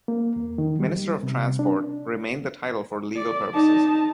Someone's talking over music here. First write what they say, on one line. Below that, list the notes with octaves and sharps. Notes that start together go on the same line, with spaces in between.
"Minister of Transport" remained the title for legal purposes.
A#3
E2
D#3
G3
C3
D4
D5
D#4 A5